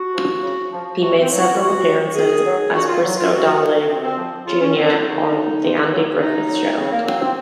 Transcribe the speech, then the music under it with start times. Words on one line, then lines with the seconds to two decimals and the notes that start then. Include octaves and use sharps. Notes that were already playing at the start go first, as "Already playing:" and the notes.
He made several appearances as Briscoe Darling, Junior on "The Andy Griffith Show".
Already playing: F#4
0.14 F3
0.42 C#3
0.72 F3
1.01 C3 F#4
1.19 C4
1.29 F#3
1.39 F#4
1.58 C3 F#4
1.87 F#3
2.15 A#2 G#4
2.45 F#3
2.73 A#2 F#4
2.87 F4
3.02 F#3
3.17 F4
3.31 C3 F#4
3.60 F3
3.89 C3 C4
4.03 C4
4.18 F3
4.46 C#3 F4
4.61 C#4
4.75 F#3 C4
4.90 D#4
5.04 C#3
5.33 F#3
5.62 C3
5.91 F#3
6.20 C3 D#4
6.49 F#3
6.77 C#3 C4
6.91 A#3
7.06 F#3 C4
7.20 C4